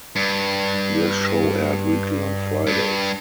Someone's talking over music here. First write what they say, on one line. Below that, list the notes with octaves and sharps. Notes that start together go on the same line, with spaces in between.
This show aired weekly on Fridays.
G2
G2